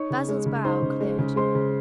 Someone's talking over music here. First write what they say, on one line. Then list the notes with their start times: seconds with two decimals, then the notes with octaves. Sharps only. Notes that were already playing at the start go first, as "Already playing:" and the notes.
Basil's brow cleared.
Already playing: D#4 C#5 C#6
0.10 C#3
0.29 G#3
0.46 C#3
0.64 D#4 C5 C6
0.82 C#3
1.01 G#3
1.19 C#3
1.36 G#3 C5 C6
1.55 C#3